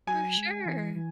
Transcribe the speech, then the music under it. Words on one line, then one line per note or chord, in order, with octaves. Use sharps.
For sure.
F#3 G#5
G#3
E3
E3